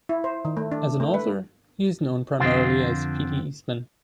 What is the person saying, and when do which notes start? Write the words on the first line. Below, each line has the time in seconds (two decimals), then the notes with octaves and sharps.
As an author, he is known primarily as P. D. Eastman.
0.09 E4
0.24 C5
0.45 D#3
0.57 A3
0.72 D4
1.00 A3
1.14 B4
2.40 F2 D3 C4 F4